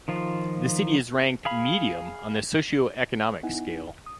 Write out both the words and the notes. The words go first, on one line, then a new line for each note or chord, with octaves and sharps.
The city is ranked medium on the socio-economic scale.
D#3 F3 F4
G#4 F5 B5
B3 D#4 E4 F#5 G#5
D#6